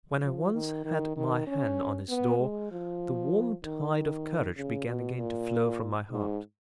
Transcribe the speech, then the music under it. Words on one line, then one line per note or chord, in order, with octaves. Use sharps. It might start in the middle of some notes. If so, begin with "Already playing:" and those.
When I once had my hand on his door, the warm tide of courage began again to flow from my heart.
F3
D#3
D#3
D#3
C#4
B3
G#3
F3
D#3
D#3
C#3
B2
A#2
G#2